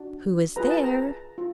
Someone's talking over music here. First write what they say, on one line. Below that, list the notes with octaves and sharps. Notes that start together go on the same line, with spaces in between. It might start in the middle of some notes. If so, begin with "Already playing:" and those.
"Who is there?"
Already playing: D4 F#4
F4 G#4 B4 A#5
A5
A#5
F4